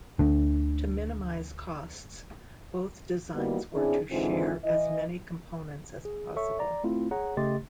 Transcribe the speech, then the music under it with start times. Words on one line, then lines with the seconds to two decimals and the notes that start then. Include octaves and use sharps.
To minimise costs, both designs were to share as many components as possible.
0.19 D2 D3
3.34 G3 A#3 B3 D#4 E4 F#4
3.73 C#3 C4 D4 E4 G#4
4.11 G#2 D3 E3 C4 F4 G#4
4.64 E3 D#5
6.05 G#4
6.36 A4 C#5 E5 C#6
6.59 D5 A#5
6.84 A3 C4 E4 F4
7.11 G#4 C#5 F#5 A#5
7.37 C#3 A3 G4 D#5 C6 A6